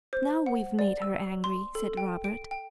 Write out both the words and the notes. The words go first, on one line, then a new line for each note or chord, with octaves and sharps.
"Now we've made her angry," said Robert.
C5
F#5
D5
E6
C6
A4
G5
D7
G5